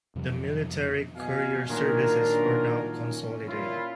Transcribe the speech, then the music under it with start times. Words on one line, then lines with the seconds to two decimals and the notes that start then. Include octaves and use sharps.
The military courier services were now consolidated.
0.16 F2 C3 F3 F#3
1.16 E2 B2 F5 G#5
1.69 A#2 D#3 F#3 D4 F4 A#4
3.02 C#4
3.48 A#2 E4 F4